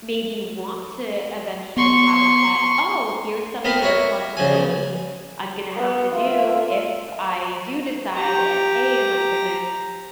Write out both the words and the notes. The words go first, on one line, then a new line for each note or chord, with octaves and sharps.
maybe want to eventually have a pet, "Oh, here's some of the responsibilities I'm gonna have to do if I do decide, and, hey am I gonna
B3 C6 C#6
B3 C4 F4 A#4 F5 B5
F#4 A#4 C#5 E5 F#5
C#3 F3 F#4 G#5
B3
F4 E5
G4 A#5